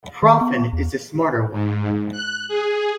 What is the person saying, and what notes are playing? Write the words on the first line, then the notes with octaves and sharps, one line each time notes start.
Proffen is the smarter one.
D#3
B3
E2
G#2
F#6
G#4